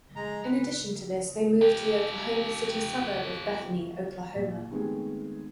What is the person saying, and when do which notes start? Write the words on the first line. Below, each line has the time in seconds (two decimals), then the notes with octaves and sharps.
In addition to this they moved to the Oklahoma City suburb of Bethany, Oklahoma.
0.16 G#3 A#5
0.45 B4
1.62 F4 G4
4.36 A#1
4.71 D#3 G#3 A3 B3 C4 G#4